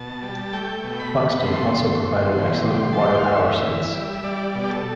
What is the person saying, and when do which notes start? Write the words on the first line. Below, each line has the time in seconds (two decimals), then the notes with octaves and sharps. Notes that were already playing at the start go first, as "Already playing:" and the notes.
Buxton also provided excellent water power sites.
Already playing: B2 A5
0.22 G3
0.53 A3 G5
0.84 B2
1.00 B5
1.15 B2
1.46 A3 C6
1.77 A3
2.08 B2
2.39 E3
2.70 G3
2.93 A5
3.00 A2
3.06 G5
3.18 F5
3.31 A2 E5
3.62 E3
3.94 G3
4.24 G3 D5
4.55 B2
4.64 G4
4.70 A4